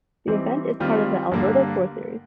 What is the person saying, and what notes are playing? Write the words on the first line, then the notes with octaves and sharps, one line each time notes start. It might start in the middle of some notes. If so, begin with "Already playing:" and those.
The event is part of the Alberta Tour Series.
E3 G3 C4 D#4
D#3 G3 C4 F4
G2 D3 G3 A#3